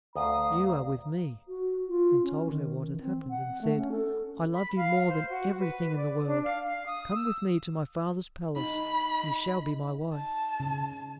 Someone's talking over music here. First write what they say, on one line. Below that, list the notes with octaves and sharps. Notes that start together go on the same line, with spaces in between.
"You are with me," and told her what had happened, and said, "I love you more than everything in the world; come with me to my father's palace; you shall be my wife."
D2 A3 F5 A#5 D#6
F#4
F4
C#4
D#3
E3
C4
F#5
A3
C#4
A4
B5
F5
C5
F#4
B4
D5
D4
F5
F5
D#6
E6
D#4 B5
A5
C#3